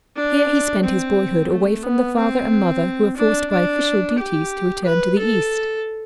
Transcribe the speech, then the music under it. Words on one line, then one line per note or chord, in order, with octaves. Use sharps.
Here he spent his boyhood, away from the father and mother who were forced by official duties to return to the East.
D4
C4
A3
B3
C4
D4
D4
G4
B4
A4